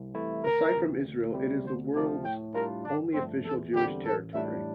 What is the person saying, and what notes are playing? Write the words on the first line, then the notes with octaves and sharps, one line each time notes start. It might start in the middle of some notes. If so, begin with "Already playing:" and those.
Aside from Israel, it is the world's only official Jewish territory.
Already playing: C2
C3 E3 A3 E4
D2 A#4
C3 E3
D2
C3 G3 C4
D2 C5
C3 F3 D5
A2 G5
G3 D4 F4 A#4
G1 D4
G2 F3 A3 C4 D4
E2 A4
D3 G3 C4 G4
A1 A4
A2 G3 D4 E5